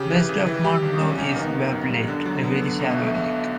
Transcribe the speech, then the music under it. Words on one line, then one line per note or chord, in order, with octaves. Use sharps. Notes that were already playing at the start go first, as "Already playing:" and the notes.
West of Mount Blue is Webb Lake, a very shallow lake.
Already playing: C#3 G4
E3
C#3
E3
G3 G4
B1
G3 C#4
B1 C#4
D#3 B3
D#3
F#2
G3
D3
F#3
D3 B3
D3
B1 B3
A3
B2
A3
B1 A3